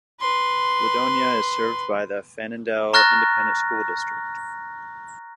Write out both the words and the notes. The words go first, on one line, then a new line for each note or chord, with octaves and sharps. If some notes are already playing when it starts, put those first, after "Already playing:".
Ladonia is served by the Fannindel Independent School District.
B4 C6
A#5 C#6 F6 F#6 A6 A#6